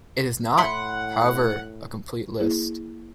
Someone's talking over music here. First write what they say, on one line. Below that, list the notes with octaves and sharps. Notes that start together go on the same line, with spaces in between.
It is not, however, a complete list.
A2 E4 F#5 B5 C6
A#3 E4 G#4